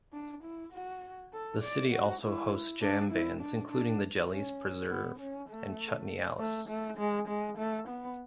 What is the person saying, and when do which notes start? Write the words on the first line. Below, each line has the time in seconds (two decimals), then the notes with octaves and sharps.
The city also hosts jam bands, including the Jellies, Preserve, and Chutney Alice.
0.13 D4
0.44 E4
0.73 F#4
1.33 A4
1.63 D5
1.93 F#4
2.22 E4
2.82 D4
3.12 E4
3.41 D4
3.71 D4
4.30 C#4
4.90 B3
5.20 C#4
5.49 A3
6.39 A3
6.69 A3
6.98 G#3
7.28 G#3
7.58 A3
7.88 B3